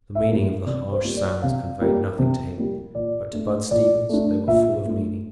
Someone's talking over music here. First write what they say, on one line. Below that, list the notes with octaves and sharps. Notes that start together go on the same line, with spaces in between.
The meaning of the harsh sounds conveyed nothing to him, but to Bud Stevens they were full of meaning.
E5
G3 A#3
C3 D5
C5
G3 A#3
D5
C3 F5
G3 A#3
C3
G3 A#3
A#2 D5
A3 D4
A#2 D5
A3 D4
A#2 E5
A3 D4